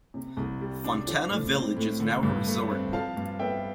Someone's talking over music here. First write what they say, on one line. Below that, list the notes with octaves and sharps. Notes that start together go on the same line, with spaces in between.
Fontana Village is now a resort.
C3
C2
G3
D4
F3
A2
C4
A2
D3
G2
A3
C4
F3 F5 A5
G2
B3 E5 G5